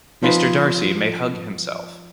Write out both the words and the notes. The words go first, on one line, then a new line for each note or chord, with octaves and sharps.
Mr. Darcy may hug himself.
F3 D#4 F4 B4 C5 D#5